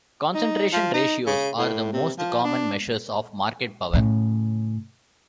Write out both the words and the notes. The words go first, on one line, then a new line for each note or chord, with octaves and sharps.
Concentration ratios are the most common measures of market power.
D#4
F3
D#4
C#3
A2
C3
F3
D4
A2 C#3